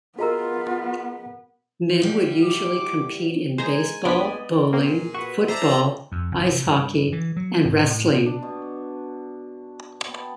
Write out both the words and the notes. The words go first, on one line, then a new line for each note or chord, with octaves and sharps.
Men would usually compete in baseball, bowling, football, ice hockey, and wrestling.
B3 F4 F#4 G#4 A#4 D#5 A#5
E2 G3
D6
G#3 C5 G#5 A#5
C2 B3 D4 D5 D#5 B6
A#2 A#3 C4 G#4
F#4 B4 C#6
C5 D5 E5 A5 A#5
F2
G1
C3
G2
E3
F#3
G#1
A2
D4
B2
B3 G5 A5